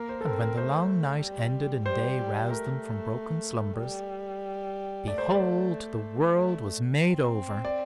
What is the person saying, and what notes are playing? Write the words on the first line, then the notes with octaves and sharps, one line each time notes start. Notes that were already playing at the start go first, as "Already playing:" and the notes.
And when the long night ended and day roused them from broken slumbers, behold, the world was made over!
Already playing: A#3 A#4
C5
A4
C4 A#4
A#4
A3 C5
G3
G3 C5
A3 A#4
G3
A3 D5
C5
D5
A3
C4
D5